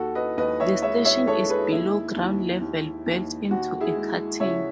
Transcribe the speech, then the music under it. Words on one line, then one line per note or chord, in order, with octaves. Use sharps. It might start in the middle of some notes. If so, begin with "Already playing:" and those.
The station is below ground level built into a cutting.
Already playing: D#2 F#4 A4
B4 D#5
D#2 B4 D#5
C#5 E5
G#3 C#5 E5
C#5 E5
G#3 A4 C#5
G#4 B4
D#2 E4
D#2
D#2
D#2
D#2 F#4
E4 G#4
G#3
C#3 C#5 E5